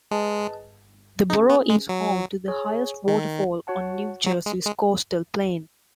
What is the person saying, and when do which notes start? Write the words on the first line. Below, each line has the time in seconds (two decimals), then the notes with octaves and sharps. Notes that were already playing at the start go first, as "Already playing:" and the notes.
The borough is home to the highest waterfall on New Jersey's coastal plain.
0.11 G#3 G#4 B4 D#5 A5
1.30 C#4 D#4 G#4 B4
1.50 B3
1.70 G#3
1.89 F#3
2.48 G#4 C#5 G#5
3.08 D#3
3.67 F#4 C#5 F#5 A5
4.26 F#3
4.46 G#3
4.66 G#3